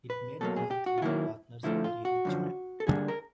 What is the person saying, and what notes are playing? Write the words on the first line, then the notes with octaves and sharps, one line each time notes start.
It made all three partners very rich men.
B4
B2 F#3 A#3 A4
G#4
G4
F#4
F4
D#3 F#3 A#3 E4
D3 F3 A3 E4
F4
F#4
F#2 D3 F3
A4
D3 G3 A#3 D4 G#4
A#4